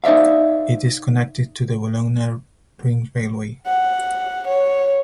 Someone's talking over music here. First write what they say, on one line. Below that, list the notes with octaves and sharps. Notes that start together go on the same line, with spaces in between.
It is connected to the Bologna ring railway.
D#4 C5 D5 E5 F5
F#5
C#5